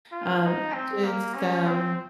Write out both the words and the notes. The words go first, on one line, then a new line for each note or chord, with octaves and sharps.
Um, I just, um
F4
D#4
C4
A#3
C#4
C4